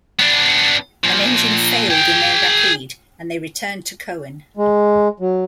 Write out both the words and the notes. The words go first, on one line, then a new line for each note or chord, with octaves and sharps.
An engine failed in their Rapide and they returned to Coen.
B3 D4
A#2 F3
G#4 G5
G#3
F#3